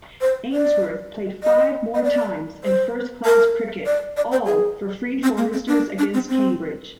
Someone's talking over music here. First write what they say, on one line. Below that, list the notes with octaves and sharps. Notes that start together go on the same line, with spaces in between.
Ainsworth played five more times in first-class cricket, all for Free Foresters against Cambridge.
C5
D5
D#5
D#5
D5
C5
A#4
D5
D5
C5
G#4
C4
A#3
C4
D4
D4
C4
C4